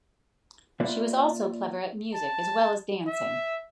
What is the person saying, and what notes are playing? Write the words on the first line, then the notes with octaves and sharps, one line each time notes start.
She was also clever at music as well as dancing.
A#3 F4 B4 D5 E5
A5
E5